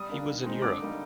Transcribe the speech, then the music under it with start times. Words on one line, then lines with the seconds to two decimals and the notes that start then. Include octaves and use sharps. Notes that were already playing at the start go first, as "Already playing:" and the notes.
He was in Europe.
Already playing: G3 D#6
0.09 A#3 D4
0.27 D#3
0.44 G#3 C4 D#4
0.62 D3 D6
0.80 G3 A#3 D#4